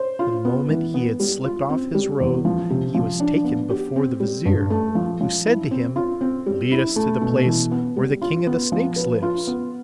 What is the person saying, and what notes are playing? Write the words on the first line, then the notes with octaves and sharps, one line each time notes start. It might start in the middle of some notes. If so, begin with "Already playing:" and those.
The moment he had slipped off his robe he was taken before the Vizir, who said to him, 'Lead us to the place where the King of the Snakes lives.'
Already playing: C5
F4
B3
E3
B3
G3
F4
C4
G3
E2
F3
C3
F3
D4
B3
G4
C4
G3
G2
A3
F3
F3
E4
C4
F4
C4
G3
E4
A3
B2
E3
B3
G3
F4
B3
F3
B4
F4
B3